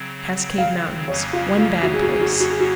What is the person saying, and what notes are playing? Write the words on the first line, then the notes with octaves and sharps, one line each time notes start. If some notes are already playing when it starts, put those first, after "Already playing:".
Cascade Mountains.--One bad place.
Already playing: C#3 F#3 C4
F5
F2 C#3 F#3 A#3 C#4 C#5
F4
F4
F#4
G#4
F#4
G#4
F#4
G#4
F#4
G#4
F#4